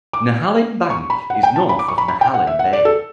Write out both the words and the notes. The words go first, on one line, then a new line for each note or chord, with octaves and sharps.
Nehalem Bank is north of Nehalem Bay.
D6
C#6
B5
F#5
G5
A5
B5
D6
C#6
B5
B5
G5
F#5
E5
F#5
D5
A4